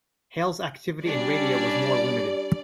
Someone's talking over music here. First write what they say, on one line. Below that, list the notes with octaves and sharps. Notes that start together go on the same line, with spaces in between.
Hale's activity in radio was more limited.
G3 C#4 D4 D5